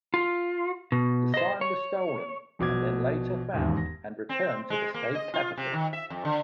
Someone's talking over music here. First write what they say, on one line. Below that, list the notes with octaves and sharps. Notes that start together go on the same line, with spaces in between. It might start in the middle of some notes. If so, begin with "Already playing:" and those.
The sign was stolen and then later found and returned to the state capitol.
F4
B2
C5 D#5
C#5
A#1 B2 D6 G#6
E1 D#2 G#2
A#6
C4
G#3
A#3
D#5
F4
C3
D#3
E5
F2
D3